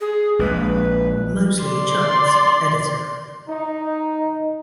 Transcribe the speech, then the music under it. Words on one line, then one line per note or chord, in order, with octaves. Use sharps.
Mosley, Charles, editor.
G#4
A#1 G#3 B4
D5 C6
D#4